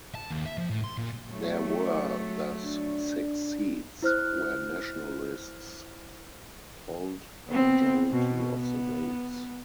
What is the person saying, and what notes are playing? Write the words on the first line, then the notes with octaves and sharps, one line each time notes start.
There were thus six seats where nationalists polled a majority of the votes.
A5
D#2
E5
F3
A2
C6
A#2
F#3 A3
D4
E4 C5 F6 F#6
B3 C4
B2
B3